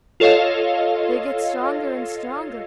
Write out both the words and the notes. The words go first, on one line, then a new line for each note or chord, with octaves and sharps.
They get stronger and stronger.
F4 A4 C#5 D#5 F5